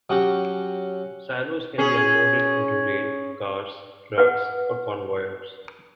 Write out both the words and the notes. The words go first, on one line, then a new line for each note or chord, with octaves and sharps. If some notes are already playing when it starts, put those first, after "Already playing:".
Silos can be unloaded into rail cars, trucks or conveyors.
F#3 C#4 F#4 G4
C#4 G#4
B4 F#5